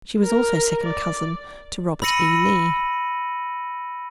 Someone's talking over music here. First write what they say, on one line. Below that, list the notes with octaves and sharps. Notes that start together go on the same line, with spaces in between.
She was also second cousin to Robert E. Lee.
A#4
D5
B5 E6 A#6 C#7 D#7 F#7